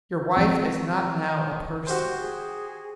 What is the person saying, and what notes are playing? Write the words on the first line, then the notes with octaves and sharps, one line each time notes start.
Your wife is not now a person.
F3 C4
F#4 G4 C5
G#4